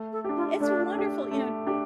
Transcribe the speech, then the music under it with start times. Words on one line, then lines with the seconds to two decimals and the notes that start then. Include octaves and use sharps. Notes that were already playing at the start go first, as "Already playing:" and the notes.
It's wonderful, you know,
Already playing: A3
0.12 A4
0.24 D4 G4
0.36 F4
0.60 A3 D4
0.95 D4 G4
1.31 A3
1.66 D4 G4